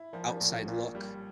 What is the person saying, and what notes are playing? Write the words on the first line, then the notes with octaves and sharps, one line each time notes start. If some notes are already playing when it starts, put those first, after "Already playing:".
outside look,
Already playing: E4
A#2 F3
A#2
A#1 A#2
A2
A#2 A#3
G3